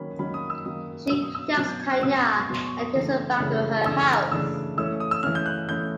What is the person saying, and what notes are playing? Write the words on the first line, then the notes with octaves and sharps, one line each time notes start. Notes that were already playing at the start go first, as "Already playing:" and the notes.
She kidnaps Tanya and takes her back to her house.
Already playing: D#3 F#3 A#3 C#4 B5
D#3 F#3 A#3 C#4 B5
D#6
E6
D#3 F#3 A#3 C#4 D#6
B2 F#3 B3 E6
D#6
E6
B2 F#3 B3 F6
G6
G#6
F#6
B2 F#3 B3 E6
D#6
D6
C#6
B2 F#3 B3 C6
C#6
D#6
C#3 E3 A3 D4
C#3 E3 A3 D4
C#3 E3 A3 D4 E6
F6
F6
C#3 E3 A3 D4 E6
E3 A3 C#4 E6
D#6
E6
E3 A3 C#4 F6
G6
F#6
E3 A3 C#4 G6